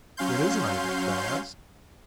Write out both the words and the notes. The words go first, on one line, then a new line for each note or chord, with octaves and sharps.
"What is an ibex?" I asked.
F#3 C#4 F5 C6 G6